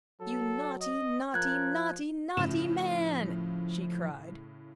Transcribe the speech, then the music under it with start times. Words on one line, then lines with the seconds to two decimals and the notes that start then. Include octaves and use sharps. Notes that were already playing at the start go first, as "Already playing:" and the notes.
"You naughty, naughty, NAUGHTY, NAUGHTY man!" she cried.
0.21 F#3 A4
0.82 D#5
1.34 F3 A#4 F#6 G#6
2.37 A2 C#3 F3 E7